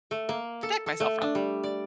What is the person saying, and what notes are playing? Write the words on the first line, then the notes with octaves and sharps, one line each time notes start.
protect myself from.
A3
A#3
A4
A4
A3
D4
G3
D5